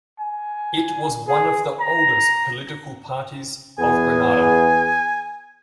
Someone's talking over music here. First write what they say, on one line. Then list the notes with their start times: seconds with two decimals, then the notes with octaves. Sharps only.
It was one of the oldest political parties of Grenada.
0.20 G#5
1.28 G#4
1.80 A#5
3.79 E2 B3 G#4 G#5